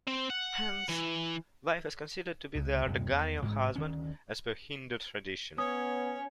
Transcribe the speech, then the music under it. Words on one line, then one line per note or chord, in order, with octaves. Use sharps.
Hence wife is considered to be the Ardhangani of husband as per Hindu tradition.
C4
F#5
E3
C#2
D#1 G2 C3
E2
A1 G#2 G#3
D2 D#3 C#4
B3 C#4 C#5 D#6